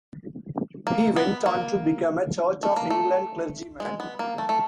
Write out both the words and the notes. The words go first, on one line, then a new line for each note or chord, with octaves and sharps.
He went on to become a Church of England clergyman.
A#3
B3
A#3
A3
A#3
A3
G#3
B3
A#3
A3
A3